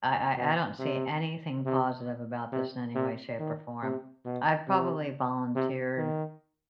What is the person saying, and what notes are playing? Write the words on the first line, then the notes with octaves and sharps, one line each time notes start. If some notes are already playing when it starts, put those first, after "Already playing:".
I I I don't see anything positive about this in any way, shape, or form. I've probably volunteered
B2
C3
C3
C3
C3
D#3
C3
B2
C3
C3
D#3